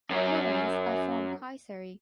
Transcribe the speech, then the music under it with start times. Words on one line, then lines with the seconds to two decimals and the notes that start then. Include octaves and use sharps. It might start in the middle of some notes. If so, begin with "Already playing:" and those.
Her parents are from Kayseri.
0.11 F#2 C#4